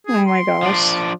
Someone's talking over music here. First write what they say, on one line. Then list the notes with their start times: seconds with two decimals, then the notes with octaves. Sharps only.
Oh my gosh.
0.07 G#4
0.27 C6
0.63 F3 D4